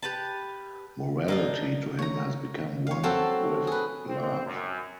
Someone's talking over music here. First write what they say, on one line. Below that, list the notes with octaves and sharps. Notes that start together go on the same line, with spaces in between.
Morality to him has become one with love.
G4 B4 A5
A#3 D4 D#4
C#5 A#5
C#5 F5
F#3 C4 F#4 A4 F5 A5
G#4 B4
C4
F#2